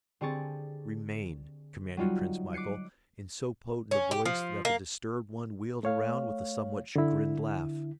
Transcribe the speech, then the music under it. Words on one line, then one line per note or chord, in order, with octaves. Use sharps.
"Remain!" commanded Prince Michael, in so potent a voice that the disturbed one wheeled around with a somewhat chagrined laugh.
D3 C4 G4 G#4 C#6 A6
F#3 G3 D#4 F4 F#4
D6 F#6 C7 C#7 D#7
C#4
G4
F3
A#3
A3 C#5 F5
D3 E4